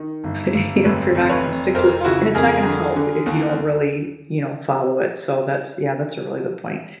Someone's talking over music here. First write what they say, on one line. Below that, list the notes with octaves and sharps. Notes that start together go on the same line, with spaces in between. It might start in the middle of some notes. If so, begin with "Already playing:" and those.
you know, if you're not gonna stick to it, and it's not gonna help if you don't really, you know, follow it, so that's yeah, that's a really good point.
Already playing: D#3
G1
G1
F1 B4 C#5
F1
B4 C#5
F1
F2 A#4 C5
F4
C#3 E4 F#4
F2 G#4 A#4
D3
D3
D#2